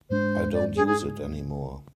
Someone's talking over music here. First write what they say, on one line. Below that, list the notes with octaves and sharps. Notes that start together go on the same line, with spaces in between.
I don't use it anymore.
G#2 G#3 D4 C5
D5
G#4
G#4